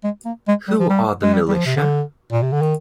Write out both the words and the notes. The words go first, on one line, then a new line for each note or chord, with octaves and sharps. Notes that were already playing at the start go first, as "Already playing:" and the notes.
Who are the militia?
G#3
A#3
G#3
G3
F3
G3
G#3
G3
G3
F3
C3
D3
A#2
C3
D3
D#3